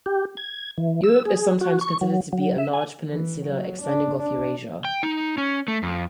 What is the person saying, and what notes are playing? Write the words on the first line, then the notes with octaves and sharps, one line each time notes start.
Europe is sometimes considered to be a large peninsula extending off Eurasia.
G4
G#6
E3
E6
G#4
F#4
C#6
F#3
F#3
E5
G#5
E3
F#3
D4
D4
G5
D#4
C#4
A3
F2